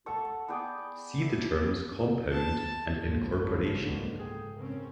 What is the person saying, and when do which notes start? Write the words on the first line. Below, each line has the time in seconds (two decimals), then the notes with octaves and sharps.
See the terms 'compund' and 'incorporation'.
0.06 A4 F#5 A5 C#6
0.48 B3 G#4 D5 G5
1.22 E5
2.31 A5
3.05 F#1 B1 G#2 F3
3.45 G4 C#5 B5
3.85 B2 D3 A#3
4.19 G#4 A4 G5
4.57 C#3 C4 C#4 A#4